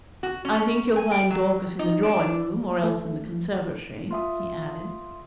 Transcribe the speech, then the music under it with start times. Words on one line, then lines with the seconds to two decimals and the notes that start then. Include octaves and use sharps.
'I think you'll find Dorcas in the drawing-room, or else in the conservatory,' he added.
0.23 F#4
0.45 C#4
0.96 G#5
1.11 G5
1.30 F#3
1.79 D#4
2.03 D4
2.83 A3
4.11 F4 E5 D#6